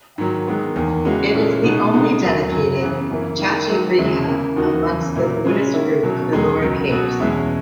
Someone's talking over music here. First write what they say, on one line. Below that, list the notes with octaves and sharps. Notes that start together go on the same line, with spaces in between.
It is the only dedicated chaitya griha amongst the Buddhist group of Ellora caves.
G#2 D#3 F#3
D#3 G#3 B3
E2 D#3 A#3
C#3 E3 G#3 C#4 F#4
A#2 G#3 C#4 E4
B2 G#3 B3 D#4
C#3 G#3 B3 D#4
D#2 D#3 F#3
F#2 C#3 F#3
C#3 E3 B3
F#2 C#3 E3 A#3 E4
D#3 A#3 E4
D#3 F#3 A#3
E2 C#3 G#3 C#4 E4
C#3 E3 A#3 E4
D#2 D#3 A#3 D#4 F#4
E2 C#3 E3
A#2 F#3 A#3 E4
C#3 G#3 C#4
D#3 A#3 E4
B2 F#3 C#4
E2 D#3 G#3 D#4
C#2 C#3 F#3
B2 F#3 B3 F#4
E2 B2 G#3 C#4 E4